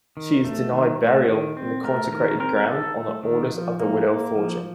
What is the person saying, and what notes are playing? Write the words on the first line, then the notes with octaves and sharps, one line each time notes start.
She is denied burial in consecrated ground on the orders of the Widow Fortune.
D#3
A3
D#3
A3
D#3
C4
A3 A#4
D#3 A#4
C4 A#4
A#4
D#3 A4
A3
D#3
F3
A#3
A#3
F3